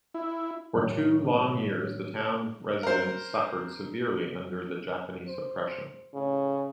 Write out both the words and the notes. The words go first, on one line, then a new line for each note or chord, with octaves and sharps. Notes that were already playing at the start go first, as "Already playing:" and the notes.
For two long years, the town residents suffered severely under the Japanese oppression.
E4
A2 D#3 F#3
A#4 C5
C5
A2 C#3